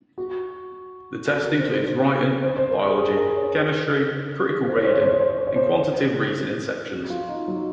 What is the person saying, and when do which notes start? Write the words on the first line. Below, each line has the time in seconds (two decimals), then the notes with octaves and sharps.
The test includes Writing, Biology, Chemistry, Critical reading, and Quantitative Reasoning sections.
0.18 F#4
1.30 F#4
1.45 A#4
1.59 C5
1.72 C5
1.87 C5
2.42 C5
2.57 C5
2.70 A#4
2.85 G#4
2.99 G#4
3.17 A#4
3.36 C#5
4.67 C5
4.76 C#5
4.85 C5
4.94 C#5
5.03 C5
5.12 C#5
5.20 C5
5.30 C#5
5.38 C5
5.47 C#5
5.56 C5
5.65 C#5
5.74 C5
6.91 F#4
7.10 F4
7.29 D#4
7.48 F#3